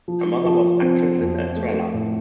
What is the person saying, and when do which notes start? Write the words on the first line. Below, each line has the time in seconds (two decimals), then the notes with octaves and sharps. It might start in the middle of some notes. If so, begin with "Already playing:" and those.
Her mother was actress Linda Estrella.
0.08 F3
0.45 F3
0.82 C4
1.19 F2
1.56 A3
1.93 A2